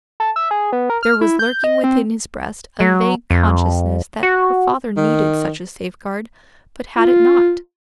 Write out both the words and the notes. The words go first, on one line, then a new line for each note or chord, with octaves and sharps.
There was lurking within his breast a vague consciousness that her father needed such a safeguard, but had it not.
A4
E5
G#4
B3
A#4
F6
E4
G6
D#5
C4
F#3
F2
F#4
D#3
F4